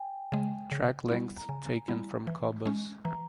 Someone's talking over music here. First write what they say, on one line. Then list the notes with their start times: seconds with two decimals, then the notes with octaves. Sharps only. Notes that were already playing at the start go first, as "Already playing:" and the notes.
Track lengths taken from Qobuz.
Already playing: G5 G#5
0.32 C#3 G#3
0.72 C#3
1.10 G3 B3 E4
1.38 A#5
1.49 C#3 G#5
1.88 G3 B3 E4
2.27 E3
2.66 G#3 C#4
3.05 E3 A#5